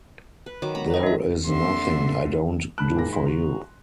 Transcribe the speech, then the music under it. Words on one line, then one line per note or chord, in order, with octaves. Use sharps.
There is nothing I don’t do for you.
B4
D#3 F#3 D6
A#5 B5
B4 D#5
D4 E5
F2 D3 A#3 C4 E5 C6
G#2 D3 D#3 A5 B5 F#6 D7
A#2 A#4 A#6
E4 C6
F#4 A#5